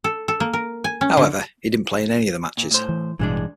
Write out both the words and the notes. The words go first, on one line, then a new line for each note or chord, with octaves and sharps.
However, he didn't play in any of the matches.
A4
A4
A#3
A#4
G#5
C#4
D3
A#2
A2 C5
E3
A1 G2 B2 E3 G#3 D4